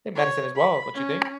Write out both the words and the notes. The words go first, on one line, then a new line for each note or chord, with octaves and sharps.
than medicine as well, don't you think?
C#5
B5
C#4